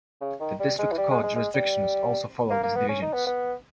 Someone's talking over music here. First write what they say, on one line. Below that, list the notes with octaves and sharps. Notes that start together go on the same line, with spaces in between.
The district court jurisdictions also follow these divisions.
C#3
D#3
G3
G#3
E3
G3
G#3
G#3
G#3
G3
A#3
A#3
B3
C#4
D#4
B3
B3